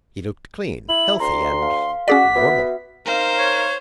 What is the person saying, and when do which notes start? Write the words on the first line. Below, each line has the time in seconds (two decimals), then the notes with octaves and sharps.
He looked clean, healthy, and normal.
0.89 E4 F#7
1.20 D2 A#5 C6
1.63 F5
2.08 C#4 F#4 G#4 D5 F#5 D6 B6
2.36 B3 F#4 B4 E5
3.06 D#4 A#4 C5 F5
3.38 C#5